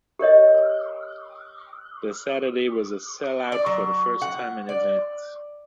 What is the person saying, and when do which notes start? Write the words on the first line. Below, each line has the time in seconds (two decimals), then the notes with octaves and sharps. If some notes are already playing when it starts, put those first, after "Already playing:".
The Saturday was a sell out for the first time in advance.
0.19 G4 A#4 C#5 D#5
3.52 D5
3.66 F#3
4.22 F#5
4.69 D5